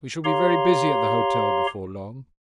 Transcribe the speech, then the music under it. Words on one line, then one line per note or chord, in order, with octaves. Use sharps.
We shall be very busy at the hotel before long.'
G4 C#5 F5 A#5 C6